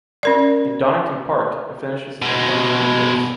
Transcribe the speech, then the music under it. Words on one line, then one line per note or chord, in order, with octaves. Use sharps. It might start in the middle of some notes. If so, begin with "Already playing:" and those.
In Donington Park, he finishes in the twenty-third place.
C#4 A#4 D5
B2 G#3